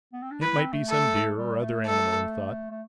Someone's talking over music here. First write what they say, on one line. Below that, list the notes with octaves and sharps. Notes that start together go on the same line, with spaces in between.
It might be some deer or other animal, he thought.
B3
C4
D4
E4 B4
C4
A3
A4
G3
A3
A4
A3